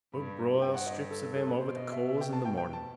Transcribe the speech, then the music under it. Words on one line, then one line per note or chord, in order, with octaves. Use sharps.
We'll broil strips of him over the coals in the mornin'.
G2 B5
G2 G5
F#5
D#5
A4
A4
A4
B4
B2 C5
D#5
E5
E5
G5
A5
G5
G5
A5